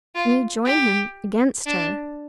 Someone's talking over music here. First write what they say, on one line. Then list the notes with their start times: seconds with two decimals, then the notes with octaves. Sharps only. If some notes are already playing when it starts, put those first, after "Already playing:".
And you join him against her.
0.15 F4
0.65 G4
1.66 D4